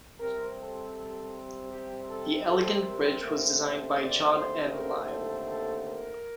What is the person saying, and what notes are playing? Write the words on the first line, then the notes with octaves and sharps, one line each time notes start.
The elegant bridge was designed by John M. Lyle.
C3 G3 C4 A#4
A4
G4
A4
A4
A#4
D#2 D3 A3 C4
D5
C5
A#4
A4
A4
A#4